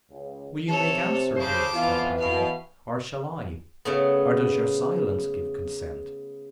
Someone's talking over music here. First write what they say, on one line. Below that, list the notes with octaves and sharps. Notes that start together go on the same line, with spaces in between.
Will you make answer, dearest Hypatia, or shall I?....or does your silence give consent?
C#2
C3 A4 C#5
C#3 C5 A5 D6
F2 E3 B3 F4
B2 B4 F5
C#3 A3 B3